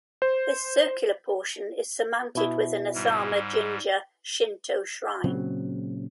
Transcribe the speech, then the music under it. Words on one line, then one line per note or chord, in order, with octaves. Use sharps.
This circular portion is surmounted with an Asama Jinja Shinto shrine.
C5
B2 E4
G#2 G3
A#2 C#3 F#3 C4